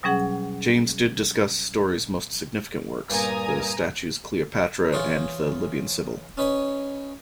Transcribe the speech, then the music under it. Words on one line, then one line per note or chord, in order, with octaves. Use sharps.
James did discuss Story's most significant works, the statues "Cleopatra" and the "Libyan Sybil".
B2 F#3 G3 C#4 G#4 F#5
G2 A#2 G#5 A#5 D#6
E3 F4 G#4 C#5
C#4 D#4 B4 C#5 B5